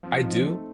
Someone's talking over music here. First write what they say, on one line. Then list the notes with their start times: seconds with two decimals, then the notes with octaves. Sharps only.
I do.
0.03 F3 C4
0.24 D#4
0.44 A3